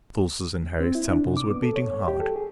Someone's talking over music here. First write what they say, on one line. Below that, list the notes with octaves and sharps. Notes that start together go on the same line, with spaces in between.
The pulses in Harry's temples were beating hard.
C4
E4
D4
C3
D6
B3
A4
C#5
G2
G4
A4
G#4